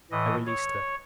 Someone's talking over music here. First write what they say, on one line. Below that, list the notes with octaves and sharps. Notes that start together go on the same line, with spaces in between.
I released her.
A2 E3 D#5
C#5